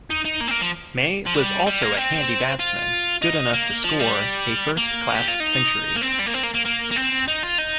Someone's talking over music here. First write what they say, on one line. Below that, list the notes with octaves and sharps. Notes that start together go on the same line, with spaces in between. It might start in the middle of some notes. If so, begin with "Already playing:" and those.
May was also a handy batsman good enough to score a first-class century.
D#4
D#4
A#3
C4
A#3
F3
F3
G3
G3
A#3
C4
F4
D#4
A#3
F3
G3
A#3
G4
F4
D#4
A#3
C4
G3
A#3
C4
A#3
A#3
A#3
A#3
C4
D#4
F4
D#4